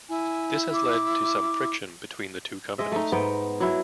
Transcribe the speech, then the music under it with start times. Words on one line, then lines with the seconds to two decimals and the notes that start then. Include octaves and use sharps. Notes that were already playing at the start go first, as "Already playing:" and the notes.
This has led to some friction between the two companies.
0.09 E4 G#5
0.73 D6
2.78 G#3 D#5 E5
2.92 A3 D#4
3.12 G#2 B3 D#5 G5
3.60 F#3 E4